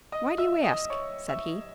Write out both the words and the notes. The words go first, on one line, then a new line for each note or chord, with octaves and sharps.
"Why do you ask!" said he.
D#5 D#6
E5 E6
D#5 D#6
C#5 C#6
E5 E6